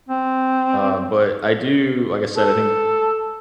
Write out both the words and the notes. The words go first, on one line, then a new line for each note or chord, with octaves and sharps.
Uh, but I do, like I said, I think
C4
A4